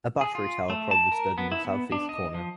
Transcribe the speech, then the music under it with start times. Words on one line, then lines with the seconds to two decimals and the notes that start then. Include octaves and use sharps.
A battery tower probably stood in the southeast corner.
0.21 G#4
0.35 F4
0.70 A3
0.91 A5
1.12 A#4
1.38 B3
1.52 E4
1.65 B3
1.92 D4
2.09 D#5
2.35 F3